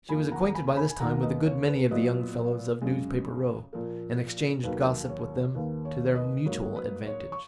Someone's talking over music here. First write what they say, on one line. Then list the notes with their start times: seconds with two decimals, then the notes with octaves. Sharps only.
She was acquainted by this time with a good many of the young fellows of Newspaper Row; and exchanged gossip with them to their mutual advantage.
0.09 F2 D#3 A#3 G#5 B5
0.32 F#5 A#5
0.49 A#5
0.55 G#5 B5
0.77 G#5 B5
0.90 G#5
1.00 D#2 D#3 A#3 F#5 A#5
1.23 B4 D#5
1.45 C#5
1.68 B4
1.91 A#2 F#3 B3 B4 D#5
2.81 F#2 C#3 G#3
3.73 A#2 F3 A#3
4.63 D#2 D#3 F#3 A#3 B4
5.09 C#5
5.55 D#2 D#3 A#3 B4
5.85 C#5
6.15 B4 D#5
6.46 G#2 F#3 A#3 C#5
6.76 B4
7.06 C#5
7.32 C#6